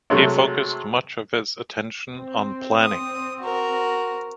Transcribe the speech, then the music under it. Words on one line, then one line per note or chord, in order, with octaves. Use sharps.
He focused much of his attention on planning.
C3 F#3 G#3 A3
C4
D#6
F#4 A#4